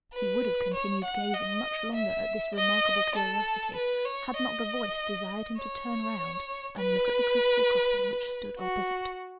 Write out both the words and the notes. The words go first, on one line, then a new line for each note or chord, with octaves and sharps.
He would have continued gazing much longer at this remarkable curiosity had not the voice desired him to turn round and look at the crystal coffin which stood opposite.
B4
C#5
F#5
D#5
E5
D#5
A4
B4
C#5
D#5
C#5
B4
F#4